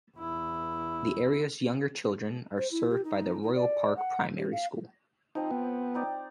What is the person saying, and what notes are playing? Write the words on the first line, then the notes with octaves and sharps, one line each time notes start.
The area's younger children are served by the "Royal Park Primary School".
E2 E4
C5
E4
G4
D#4
D#4
D5
F#5
G4
F5
F3 C4 D#4
B3
C4 D#4 D5